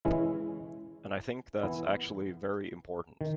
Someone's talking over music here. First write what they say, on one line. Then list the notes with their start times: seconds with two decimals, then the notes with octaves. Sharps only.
And I think that's actually very important.
0.05 E3 G#3 C#4 E4
1.63 E3 B3 E4
3.21 D#3